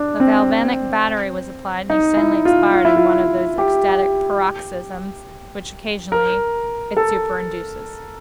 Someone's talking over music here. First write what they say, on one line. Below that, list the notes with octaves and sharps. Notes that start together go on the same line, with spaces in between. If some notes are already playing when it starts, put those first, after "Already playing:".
The galvanic battery was applied, and he suddenly expired in one of those ecstatic paroxysms which, occasionally, it superinduces.
Already playing: D4
C4
D#4
E4
F4
F4
E4
F4
G4
A#4
A4